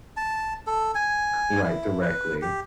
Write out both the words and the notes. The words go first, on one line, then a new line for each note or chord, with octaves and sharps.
Right. Directly.
A5
A4
G#5
E4
B4
G4